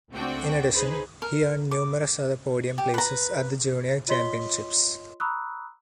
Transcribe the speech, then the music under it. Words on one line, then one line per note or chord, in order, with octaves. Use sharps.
In addition, he earned numerous other podium places at the junior championships.
C#2 A3 C4 D4 F#4 G5
D#4 G#4 B4 C5
A#4
D6
G4
B4 A#5
F4 C#5 D#5 C6 B6 G7
A#5 B5 C#6 D#6 E6 F#6